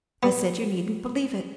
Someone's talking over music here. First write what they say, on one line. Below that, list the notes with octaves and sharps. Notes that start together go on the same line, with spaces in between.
I said, you need n't believe it.
B3